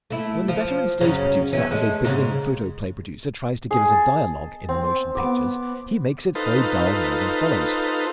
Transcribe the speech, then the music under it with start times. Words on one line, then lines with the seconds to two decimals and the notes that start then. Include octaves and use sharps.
When the veteran stage-producer as a beginning photoplay producer tries to give us a dialogue in the motion pictures, he makes it so dull no one follows.
0.10 A3 E4
0.48 F3
1.01 F#2 C#3 C#4
1.53 E2 E3 C#4
1.71 G#3 A3
2.05 G#2 C#3
3.71 G#4 D#5
3.89 A5
4.69 C4
5.15 B3 D6
6.35 D#4 F4 A4 B4 C5